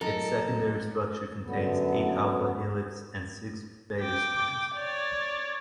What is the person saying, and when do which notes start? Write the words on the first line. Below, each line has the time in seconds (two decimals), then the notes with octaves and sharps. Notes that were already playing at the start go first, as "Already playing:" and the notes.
Its secondary structure contains eight alpha helix and six beta strands.
0.01 F#3 D#4 A4 A#4
1.43 F#2 D3 F#3 B3
4.00 G5 D6
4.75 C#5 D5